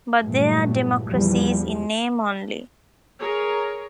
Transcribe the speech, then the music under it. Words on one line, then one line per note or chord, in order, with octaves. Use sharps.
But they are democracies in name only.
G2 A#2 E3 F#3 G3 A3
E2 E3 F3 G3
G#4 A#4 C#5